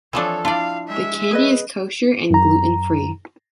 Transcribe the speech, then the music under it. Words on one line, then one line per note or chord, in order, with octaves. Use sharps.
The candy is kosher and gluten-free.
E3 F3 D4 A4 C#5
D4 E4 F4 D5 F5
G#3 E5
G#4 B4 D#5
F#2 A#5